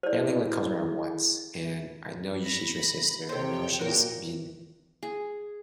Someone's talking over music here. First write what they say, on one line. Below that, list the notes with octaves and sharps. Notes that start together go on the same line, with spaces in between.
family only comes around once and I know y she's your sister, I know she's been
E4 G#4 A4 C5 D5
B5 A#6
C3 A4 C5 C#5 G5
A#2 F#4 A#4
G#4